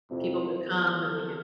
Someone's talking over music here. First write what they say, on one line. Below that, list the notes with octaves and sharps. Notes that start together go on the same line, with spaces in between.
people could come, and we could
F2 C3 F3 C4 E4
E2